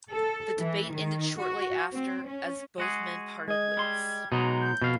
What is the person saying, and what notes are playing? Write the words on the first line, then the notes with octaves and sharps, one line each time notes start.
The debate ended shortly after as both men parted ways.
A4
E3
D#3
F#4
C4
C#4
G#3 F#4 G#4
G#3 D#5 G#6
G3 C6
B2 F#3 G#3 D#4
G6
F2 B2 F5